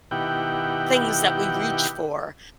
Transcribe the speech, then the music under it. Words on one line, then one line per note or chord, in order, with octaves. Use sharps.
things that we reach for,
B2 D#3 E4 G4 F#5 G5